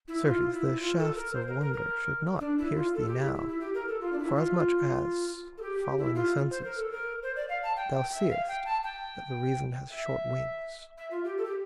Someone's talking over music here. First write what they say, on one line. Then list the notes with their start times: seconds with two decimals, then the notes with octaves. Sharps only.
Certes, the shafts of wonder should not pierce thee Now, forasmuch as, following the senses, Thou seest that the reason has short wings.
0.08 E4
0.26 F4
0.53 E4
0.80 F4
0.97 A4
1.16 A#4
1.33 C5
1.47 A#4
1.60 A#4
1.74 A#4
2.40 D4
2.58 E4
2.76 F4
2.94 A4
3.07 G4
3.21 E4
3.35 E4
3.48 E4
3.61 G4
3.74 A#4
3.88 A4
4.01 F4
4.13 D4
4.19 E4
4.37 F4
5.58 A4
5.62 G4
5.80 G4
5.98 E4
6.15 F4
6.51 C5
6.65 A#4
6.77 A4
6.92 A#4
7.23 C5
7.36 D5
7.49 F5
7.63 A5
7.76 G5
7.94 G5
8.12 E5
8.29 F5
8.48 G5
8.65 A5
8.83 G5
9.90 E5
10.98 E5
11.11 F4
11.24 G4
11.38 A4
11.45 G4